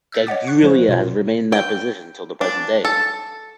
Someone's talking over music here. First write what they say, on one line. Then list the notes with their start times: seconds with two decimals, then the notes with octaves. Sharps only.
Gagulia has remained in that position till the present day.
0.12 E6 F#6 G6 A6 B6
0.27 C#5 D#5 F#5 D6
0.47 C#6 F#6
0.63 F3 A3 E4 C5
0.89 B2 F4 C#5
1.52 G5
2.41 D4
2.85 A4